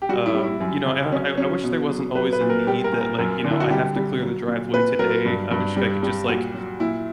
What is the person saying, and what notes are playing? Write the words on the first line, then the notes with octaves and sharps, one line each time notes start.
um, you know, I I I wish there wasn't always a need that, like, you know, I have to clear the driveway today. I wish I could just like,
G4
G3 F#4
E4
G3
E4
F#2
C#3
F#3 C#4
F#3 C#4
B2
F#3
F#3 B4
B4
A#2
A#4
G3 G4
A#4
A#2
A#4
F#2 A#4
D3
E4
F#4
G3 G4
G3
F#3
A#2
A#2 B4
F#3 A#4
G2
G2
G3
G3
A#2 F#4
F#3
A#2 E4